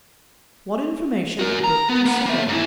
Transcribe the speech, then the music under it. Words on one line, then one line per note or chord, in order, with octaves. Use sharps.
What information had Burke to sell?
F#4 A#4
A#5
B3
A#3 F#5
A#3 E5
G#2 E4